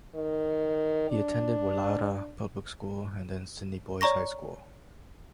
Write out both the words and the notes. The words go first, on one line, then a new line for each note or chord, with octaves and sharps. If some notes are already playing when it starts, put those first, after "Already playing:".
He attended Woollahra Public School, and then Sydney Boys High School.
D#3
D4
C#5 D5 A#5 C#6 A#6